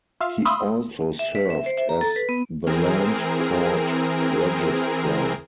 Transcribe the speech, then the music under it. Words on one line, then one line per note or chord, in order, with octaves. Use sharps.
He also served as the Land Court Registrar.
F4 E5 F5
E5 F5 B5 C6 D#6 E6
E5
B4
E5
C5
E5
A#5
A4
B4
B3
E3 C4 G#4 A#4